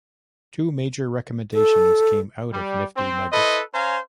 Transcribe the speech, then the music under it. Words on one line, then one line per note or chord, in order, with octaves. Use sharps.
Two major recommendations came out of Nifty Nugget.
A4
G3
C4
E4 A4 B4 C5 D#5
C#4 C5 F5 G#5 A#5